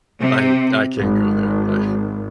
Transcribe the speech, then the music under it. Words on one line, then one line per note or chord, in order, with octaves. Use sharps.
I I can't go there. I
C3
G#1